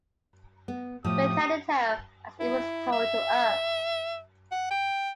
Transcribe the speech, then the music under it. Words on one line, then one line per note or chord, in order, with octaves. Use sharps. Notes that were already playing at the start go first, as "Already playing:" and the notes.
We tell the tale as it was told to us.
B3
A2 F3 G4 D#6
E4
E5
F#5
G5